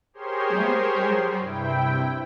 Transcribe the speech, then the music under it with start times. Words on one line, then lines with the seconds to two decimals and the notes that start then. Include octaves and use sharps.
Yeah. Yeah. I
0.13 G4 G#4 A#4 C5 C#5 C6
1.36 G2 C3 E4 G5